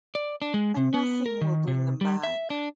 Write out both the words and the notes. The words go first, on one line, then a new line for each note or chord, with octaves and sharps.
And nothing will bring them back.
D5
D4
G#3
C3
B3
A#4
D#3
C3
G3
E5
D4